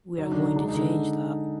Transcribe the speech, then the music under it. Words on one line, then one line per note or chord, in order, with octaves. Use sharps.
We are going to change that.
F#3 D#4
D4
D3
D#4
G#3 D4
D#4
D3